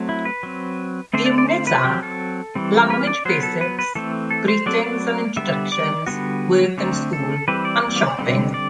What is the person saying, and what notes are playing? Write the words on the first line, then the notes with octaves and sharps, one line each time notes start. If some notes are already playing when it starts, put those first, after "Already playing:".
The units are: Language Basics, Greetings and Introductions, Work and School, and Shopping.
Already playing: F#3 A3 C4
E4
B4
F#3 C4
D3 A3 C4 C5
D5
D5
C5
B4
F#3 C4 G4
A4
E3 G3 C4
B4
D5
F#3 B3 C5
A4
B4
B4
E3 A3 C4 A4
A4
C5
F#3 A3 C4 D5
D5
D3 G3 B3 E5
D5
D3 G3 B3 F#4
D3 A3 C4
A4
E3 G3 C4 B4
D5
D5
D3 G3 C4
D5